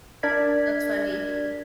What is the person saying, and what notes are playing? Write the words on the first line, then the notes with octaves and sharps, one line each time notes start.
That's funny.
D4 A#4 D5 G#6 B6